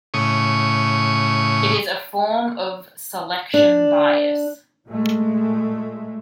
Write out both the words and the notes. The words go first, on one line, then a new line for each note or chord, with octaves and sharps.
It is a form of selection bias.
A2 C#3 C#6 D#6
D4
A#2 G#3 A3